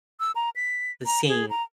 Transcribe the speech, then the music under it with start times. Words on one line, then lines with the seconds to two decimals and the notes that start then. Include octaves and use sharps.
the same
0.20 E6
0.35 A#5
0.56 B6
1.06 A#5
1.29 G#4
1.50 A#5